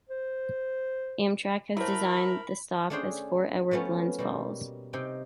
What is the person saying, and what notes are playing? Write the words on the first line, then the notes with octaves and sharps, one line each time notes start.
Amtrak has designated the stop as Fort Edward-Glens Falls.
C5
F#3 A3 E4 A#4 C5 A#5 B5
A3 C#4 D4 G#4 C5 G5
F3 F#3 A3 B3 C#4
B2 G3 A#3
C3 D#4 G5